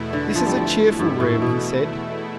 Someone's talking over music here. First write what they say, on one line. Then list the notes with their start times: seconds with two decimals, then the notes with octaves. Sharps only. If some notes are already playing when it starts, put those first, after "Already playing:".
"This is a cheerful room," he said.
Already playing: E2 B2 A3 E4
0.13 D3
0.35 F3
0.46 G3
0.57 F3
0.99 G2
1.20 A2
1.42 B2